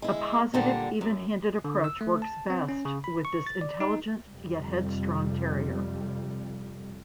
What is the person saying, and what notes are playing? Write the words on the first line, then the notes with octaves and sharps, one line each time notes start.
A positive, even-handed approach works best with this intelligent yet headstrong terrier.
G#3 E4
A#2 D3 G3
F#2
D3
E6
A3
A5
C4
C#4
C#3
B5
C#6
A6
D5
D#4
F2 C3 G3